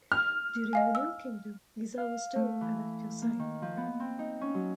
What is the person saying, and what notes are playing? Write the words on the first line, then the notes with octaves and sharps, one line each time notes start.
During the New Kingdom, Giza was still an active site.
F6
D#5 F5 G#5
E6
F5
A3
E3
A#3
D#3
F3
B3
C4
D#4
C#4
F#3